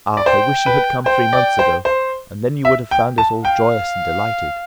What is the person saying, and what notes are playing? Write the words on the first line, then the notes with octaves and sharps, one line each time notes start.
I wish you had come three months ago, and then you would have found us all joyous and delighted.
D5
C5 G5
B4
C5 G5
D5
C5
C5
E5
G5
A5
F5 G5